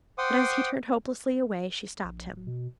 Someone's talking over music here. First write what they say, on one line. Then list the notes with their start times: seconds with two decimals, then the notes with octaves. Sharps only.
But as he turned hopelessly away, she stopped him.
0.18 C5 F#5 G5 C6 D6 D#6
2.04 A#1
2.29 D1
2.46 B2